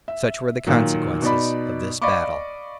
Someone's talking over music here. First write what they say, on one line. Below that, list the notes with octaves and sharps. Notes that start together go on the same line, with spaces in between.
Such were the consequences of this battle.
E5
A#2 D#3 F#3
B2 D#4 D5 B5
D5 D#5 F5 B5 C#6 D6